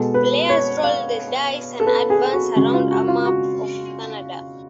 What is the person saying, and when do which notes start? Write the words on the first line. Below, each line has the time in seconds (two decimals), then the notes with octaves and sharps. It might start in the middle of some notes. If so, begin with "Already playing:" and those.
Players roll the dice and advance around a map of Canada.
Already playing: B2 G#3 A4
0.14 B4
0.49 C#5
0.83 F5
1.80 A4
1.87 B4
2.10 G#4
2.33 F#4
2.56 C#3 G#3 F#4
2.74 F4
2.91 F#4
3.08 F4
3.25 F#4